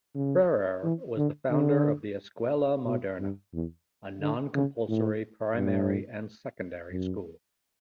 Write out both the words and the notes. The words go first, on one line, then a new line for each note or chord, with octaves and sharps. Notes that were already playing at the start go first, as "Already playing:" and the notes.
Ferrer was the founder of the Escuela Moderna, a non-compulsory primary and secondary school.
C#3
E3
D3
D3
B2
G2
E2
D3
C#3
A2
G2
F#2